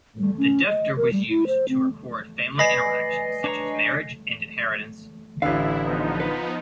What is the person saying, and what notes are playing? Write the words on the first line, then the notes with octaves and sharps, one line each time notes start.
The defter was used to record family interactions such as marriage and inheritance.
G3
C#4
D#5
A#4
G3
E4
C5
C4
B4 D5 D#5 G#5 B5 A#6 C7
D4 C#5 A#5
A1 D3 E4 B4 F5
F3 B3 D#4
B4